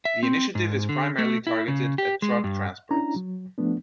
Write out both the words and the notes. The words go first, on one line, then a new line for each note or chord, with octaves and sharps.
The initiative is primarily targeted at truck transport.
E5
C4
G#2
D3
A3
E4
C#3
G4
G#3
G2
C#4 D4 E4 A#5
F#3
F3 A3 B3 D4